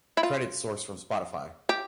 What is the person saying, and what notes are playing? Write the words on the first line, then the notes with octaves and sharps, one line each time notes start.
Credits sourced from Spotify.
E4
F4
G4